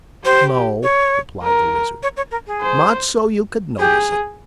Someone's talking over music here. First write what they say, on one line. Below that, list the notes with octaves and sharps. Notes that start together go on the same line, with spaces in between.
"No," replied the Lizard; "not so you could notice it."
G4 C5
C#5
A#4
C#5
C#5
A#4
G#4
C5
G4 G#4